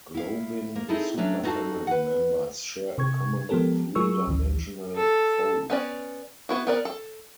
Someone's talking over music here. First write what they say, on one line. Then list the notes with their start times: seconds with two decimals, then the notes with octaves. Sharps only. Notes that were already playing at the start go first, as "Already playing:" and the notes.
Globin superfamily members share a common three-dimensional fold.
0.15 E4 F5
0.75 A#3
0.89 C4 D#4 E4 G#4 A4
1.17 F#3 A3 C#4 D4
1.43 B3 D#4 F#4 A4 F5 A5
1.87 B4 F#5
2.98 C3 C#6 G#6
3.49 F3 G#3 B3 G4 A4 A#4
3.95 F#3 F4 G#4 A#4 C#6 E6
4.27 A1 D2 E3
4.97 A4
5.70 B3 C#4 D5
6.49 B3 E4 F#4
6.67 B3 A#4 D5
6.85 A4